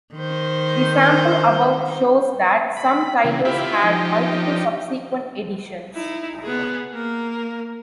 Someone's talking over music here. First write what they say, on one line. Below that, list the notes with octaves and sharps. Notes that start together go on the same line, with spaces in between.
The sample above shows that some titles had multiple subsequent editions.
D#3 C5
B5
C#3 E3
E4 F4 G4 B5
F3 D#4 G4
D#4 E4
B3 G#4
A#3 A#4